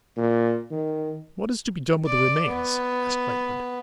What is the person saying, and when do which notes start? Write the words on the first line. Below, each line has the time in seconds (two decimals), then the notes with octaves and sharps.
'What is to be done with the remains?' asked Lightwood.
0.17 A#2
0.71 D#3
2.07 D5
2.48 B3